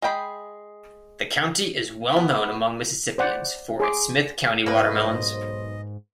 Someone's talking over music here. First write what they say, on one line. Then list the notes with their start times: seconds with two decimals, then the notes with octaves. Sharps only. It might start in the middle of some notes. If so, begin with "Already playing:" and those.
The county is well known among Mississippians for its Smith County Watermelons.
0.02 G#3 G#4 G5 B5
2.13 B3 E4
3.18 C5 D5 F#5
3.80 G#4 C6 D6
4.66 B1 G#2 A#3 B4 C5 D#5